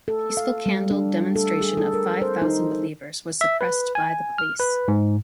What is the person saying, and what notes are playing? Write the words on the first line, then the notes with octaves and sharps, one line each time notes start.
The peaceful Candle Demonstration of five thousand believers was suppressed by the police.
A4
F5
G3
D4
A4
G#4
A4
A#4
C5
D#4
E5
B4
G#5
F6
B4
G#2